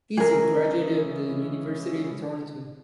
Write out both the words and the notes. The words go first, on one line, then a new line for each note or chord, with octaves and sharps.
He is a graduate of the University of Toronto.
C#3 E3 G#3 G#4 A#4